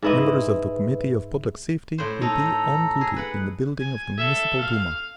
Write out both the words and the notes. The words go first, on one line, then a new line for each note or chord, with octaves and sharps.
Members of the Committee of Public Safety will be on duty in the building of the Municipal Duma.
G#2 E4 B4 D#5
A2 C5
D#4 A4 A#5
G#4
B4 F#5
G#5
A4 E5
F5